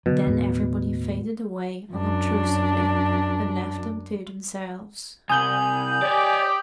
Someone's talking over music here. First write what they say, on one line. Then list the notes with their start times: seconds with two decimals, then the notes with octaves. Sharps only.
Then everybody faded away unobtrusively, and left them to themselves.
0.06 B2 D3 D#3 F#3
0.26 D#2 A2 B3
1.92 F#2 D4
5.29 C2 G#5 D#6 G6 F#7
6.02 G4 C#5 D5